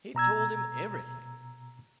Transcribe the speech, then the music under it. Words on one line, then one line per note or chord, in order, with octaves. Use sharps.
He told him everything.
B2 A#5 E6 G#6